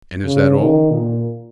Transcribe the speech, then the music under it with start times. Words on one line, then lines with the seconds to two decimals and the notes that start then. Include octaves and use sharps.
"And is that all?"
0.25 C#3
0.58 D#3
0.92 A#2